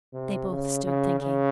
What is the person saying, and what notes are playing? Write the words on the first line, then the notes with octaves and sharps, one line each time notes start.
They both stood thinking.
C3
C#3
C#3
C#3